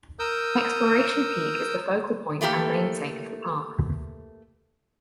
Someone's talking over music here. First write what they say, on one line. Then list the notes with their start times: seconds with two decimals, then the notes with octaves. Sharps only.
Exploration Peak is the focal point and namesake of the park.
0.19 A#4 D#6 E6 G6
2.41 E3 A3 A#3 G4 A4